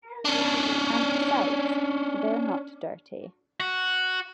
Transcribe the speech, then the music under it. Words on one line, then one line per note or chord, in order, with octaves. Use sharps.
And besides, they’re not dirty.
C#4 D4
F#4